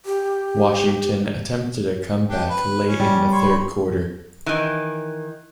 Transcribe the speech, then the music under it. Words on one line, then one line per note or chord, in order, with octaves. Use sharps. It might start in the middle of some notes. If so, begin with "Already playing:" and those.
Washington attempted a comeback late in the third quarter.
G4
D4 G4
B4
C#4
G3
C#5 B5 C6
D#3 E3